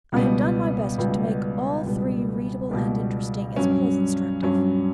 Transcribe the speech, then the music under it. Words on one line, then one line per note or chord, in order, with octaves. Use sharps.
I have done my best to make all three readable and interesting, as well as instructive.
C#2 B2 G3 B3
C#2 B2 G3 B3
C#2 B2 G3 B3
C#2 B2 G3 B3
G2 F#3 C#4
G2 F#3 C#4